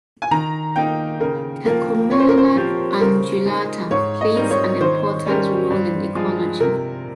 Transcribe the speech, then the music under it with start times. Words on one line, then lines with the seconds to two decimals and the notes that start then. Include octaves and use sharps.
"Tecomella undulata" plays an important role in ecology.
0.22 G#5
0.31 D#3 A#5
0.76 A#3 D#4 G5
1.20 C#3 A#4
1.66 F3 A#3 A#4
2.11 A#2 C#5
2.20 C5
2.29 A#4
2.38 C5
2.56 F3 C4 G4
3.01 C#3 A#4
3.46 G#3 D#4
3.91 G#2 C#5
4.21 D#5
4.36 G3 C4 D#4 A#4
4.51 C#5
4.80 D#3 C5
5.25 G3 C#4 G4 A#4
5.70 G2
6.15 F3 G#3
6.60 C3 A#4